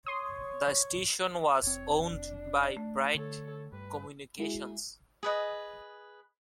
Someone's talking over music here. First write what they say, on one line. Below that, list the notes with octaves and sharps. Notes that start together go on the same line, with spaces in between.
The station was owned by Pride Communications.
C#5 C6 D#6
F1 C4 C#5
D4
A3
D3 A4 C#5
G2 B4
G#3 E4 F#4 G#4
G#4 B4 D#5